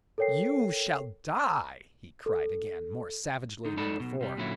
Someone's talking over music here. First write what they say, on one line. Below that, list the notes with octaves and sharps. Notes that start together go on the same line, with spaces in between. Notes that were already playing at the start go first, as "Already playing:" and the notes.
"You shall die!" he cried again, more savagely than before.
A4 A#4 C#5 G5 C7
A4
D3 D#4
G#3 D#4 A4 D5 A5 B5
B1 B2
C3 G3
A#2 D3 F#3 C#4 E4